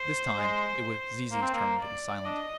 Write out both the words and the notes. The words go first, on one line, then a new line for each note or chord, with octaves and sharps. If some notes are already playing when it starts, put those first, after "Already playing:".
This time it was Zizi's turn to be silent.
Already playing: C5
G#3
A#3 C5
C4
A#3
D5
D4 D#5